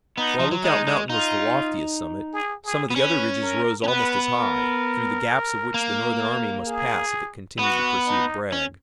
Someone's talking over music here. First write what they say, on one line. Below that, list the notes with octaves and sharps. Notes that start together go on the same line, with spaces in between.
While Lookout Mountain was the loftiest summit, some of the other ridges rose almost as high, through the gaps of which the Northern army must pass if it continued the pursuit of Bragg.
B3 D#4
F3
F#3
G#3 D#4
G#3
D#4 F4
G#4
G#4
B3
C#4 B4
A#4
C#4
B3 B4
A#4
A#3
G#4
B3 F#4
D#4
C#4